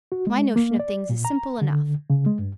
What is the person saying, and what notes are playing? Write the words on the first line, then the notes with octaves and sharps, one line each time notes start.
My notion of things is simple enough.
F#4
G#3
A#3
D5
A#2
A#5
D3
C#3
G#3
G2